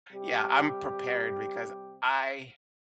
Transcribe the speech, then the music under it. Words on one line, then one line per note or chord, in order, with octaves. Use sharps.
Yeah, I'm prepared because I
C3 G3 G4